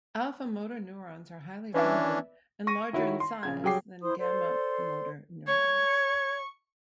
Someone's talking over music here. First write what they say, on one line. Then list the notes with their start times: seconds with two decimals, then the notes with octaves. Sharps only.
Alpha motor neurons are highly abundant and larger in size than gamma motor neurons.
1.74 E3 C#4 D4 B4 D5 E5
2.67 C#6 A#6 D#7
2.93 D#3 E4 F#4 C#5
3.20 C6
3.43 A#1 C#3 G#6
3.64 F#3 G3 G#4 G5 D6 C7
4.02 E4 C5 C6 D#6
4.19 A4 C5 D5 C6
5.47 C#5 C#6 G#6